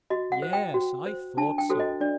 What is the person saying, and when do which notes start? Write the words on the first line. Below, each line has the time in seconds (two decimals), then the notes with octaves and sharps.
Yes, I thought so.
0.10 F#4 D#5
0.32 F#5
0.42 C5
0.53 G5
0.74 F#4
1.06 C5
1.37 D4 A5
1.58 G5
1.70 F#4 A4 C5
1.80 D#5
2.00 D4 D5